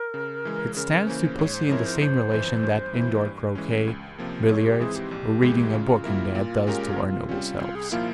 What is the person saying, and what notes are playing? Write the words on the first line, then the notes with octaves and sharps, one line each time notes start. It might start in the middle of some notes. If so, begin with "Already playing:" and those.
It stands to pussy in the same relation that indoor croquet, billiards, or reading a book in bed does to our noble selves.
Already playing: A#4
C#3
E3 G#3
C#3 A#4
E3 A#3 C#4 C5
G#2 C#5
C5
F3 C4 E4 A#4 C#5
C5
G1 C5
F2 E3
G2
E3 A#3 E4
G2
E3 G#3 C#4
C#2
C3 F3 A#3
G#2 C#5
G4
E3 G#3 C4 E4 G#4
G4
A#1
G#2 E3 G#3 E4
C#3 F4
G3 A#3 E4 A#4
A#2
G#3 C#4 G4 A#4
C3
G3 C#4
C2 F4
G#4
A#2 F3 A#3 E4 F4